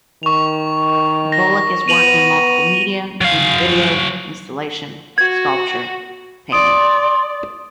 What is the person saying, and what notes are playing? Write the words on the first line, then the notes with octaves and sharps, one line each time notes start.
Bulloch has worked in multiple media, including video, installation, sculpture, painting.
D#3 C#6 F7
A#6
B3 D#7 F7 F#7
F#3 F5
F#4 G#6
D5 C6 D#6 D7